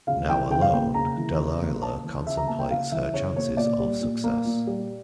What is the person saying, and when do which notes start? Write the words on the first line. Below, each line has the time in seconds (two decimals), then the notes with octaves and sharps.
Now alone, Dalila contemplates her chances of success.
0.07 C#3 F5
0.29 E3 G5
0.50 C#3 G5
0.62 F5
0.73 A#3 G5
0.94 C#3 A#5
1.17 E3
1.38 C#3
1.60 A#3
1.82 C#3 A5
2.04 E3
2.26 C#3 E5
2.37 A#5
2.48 A#3 A5
2.59 G5
2.70 C#3 F5
2.92 E3 E5
3.13 C#3 C#5
3.36 A#3 C#5
3.57 A#2 D5
3.80 G3
4.02 A#2
4.24 A#3
4.45 A#2
4.67 G3